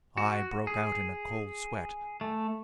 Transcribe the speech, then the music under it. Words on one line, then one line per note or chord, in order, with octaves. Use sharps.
I broke out in a cold sweat.
F#4
G#4
A3